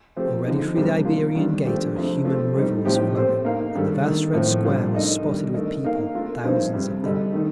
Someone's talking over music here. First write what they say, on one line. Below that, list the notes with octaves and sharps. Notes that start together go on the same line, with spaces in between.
Already through the Iberian Gate a human river was flowing, and the vast Red Square was spotted with people, thousands of them.
F3 A3 C4 G4
D3 F3 C4 D#4
F2 C3 G3 C4 G4
A#3 D4 F4
D#3 G3 D4
F3 A3 D4 G4
F2 C3 F3 A3
F3 A3 C4 G4
G3 C4 D#4
A2 F3 C4 D#4 G4
A3 C4 G4 C5
A#3 D#4 A#4 F5
D#3 G3 D4 A4
D#3 A3 D#4
A2 F3 C4
F2 C3 G3 D4 F4
A3 D#4 A#4 D#5
D#3 G3 D4
A3 D#4 A#4 D#5
A#3 D#4 A#4 F5
A3 D4 F4 A#4
G2 F3 C4 D#4 G4
C3 G3 C4
D3 G3 D4 A4 D#5
D#3 A3 D#4 A#4